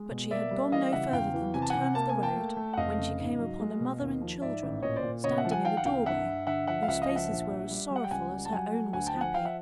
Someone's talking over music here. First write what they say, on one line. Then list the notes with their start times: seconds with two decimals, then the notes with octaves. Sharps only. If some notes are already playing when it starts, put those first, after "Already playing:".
But she had gone no farther than the turn of the road when she came upon a mother and children, standing in a doorway, whose faces were as sorrowful as her own was happy.
Already playing: G#3
0.11 B2
0.31 A#3 D5 E5
0.51 G3
0.72 E3 D#5 F5
0.92 C#3 E5 F#5
1.13 E2 F5 G5
1.34 E3
1.54 C3 G#5
1.62 A5
1.70 C3 F#5 G#5
1.95 A#3 A5
2.09 G#5
2.16 A#3
2.23 G5 A5
2.36 A3
2.57 A3
2.73 F#5
2.77 F1 D#5 F5
2.98 C#3
3.19 G#2
3.39 F#3
3.60 G#3
3.80 B2
4.01 D#2
4.21 F3
4.42 G#2 D5 E5
4.63 A1
4.82 A#2 C#5 D#5
4.96 C5 D5
5.03 A#2
5.24 C#3 C#5 D#5
5.38 E5 F#5
5.44 F3
5.51 F#5 G#5
5.65 D#3 F5 G5
5.77 F#5
5.85 C2 F5 G5
6.06 G2 E5 F#5
6.26 G2
6.47 D3 E5 F#5
6.67 F3 E5 F#5
6.83 F5
6.88 C#2 E5 F#5
7.02 D#5 F5
7.09 F3
7.16 E5 F#5
7.29 A#1
7.50 A#1
7.71 G3
7.91 G3
7.96 F#5
8.04 G5
8.11 C#2 F#5 G#5
8.32 G3
8.45 A5
8.52 F#3 F#5 G#5
8.74 A3
8.93 D2 F#5 G#5
9.07 G5 A5
9.14 F3
9.21 F#5 G#5
9.34 F3 F5 G5
9.45 E5 F#5